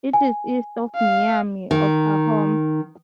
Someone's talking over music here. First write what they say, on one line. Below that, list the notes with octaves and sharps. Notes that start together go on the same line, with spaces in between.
It is east of Miami, Oklahoma.
G#5
F5
D#3